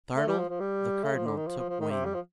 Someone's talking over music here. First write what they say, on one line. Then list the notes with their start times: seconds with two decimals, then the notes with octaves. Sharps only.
Startled, the Cardinal took wing.
0.16 A3
0.27 G3
0.38 F3
0.49 F3
0.60 G3
1.04 A3
1.15 F3
1.25 D3
1.36 D#3
1.47 F3
1.58 F3
1.69 F3
1.80 D#3
1.90 C3
2.05 G3
2.14 F3